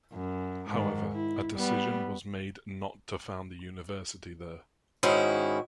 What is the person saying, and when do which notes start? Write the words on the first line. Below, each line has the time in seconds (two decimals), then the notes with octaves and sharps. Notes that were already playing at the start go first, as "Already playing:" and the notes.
However, a decision was made not to found the university there.
0.13 F#2
0.70 G#2 D#3
1.12 E4
1.54 G3 B3
5.03 G#2 D#3 C#4 E4 F#4